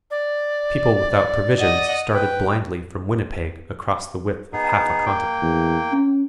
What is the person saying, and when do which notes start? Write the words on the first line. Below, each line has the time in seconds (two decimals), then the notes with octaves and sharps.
People without provisions started blindly from Winnipeg across the width of half a continent.
0.11 D5
1.59 D#5 F#5
2.13 B4 G5
4.53 B3 D#4 G#4
5.06 A#3 G5
5.42 E2
5.92 C#4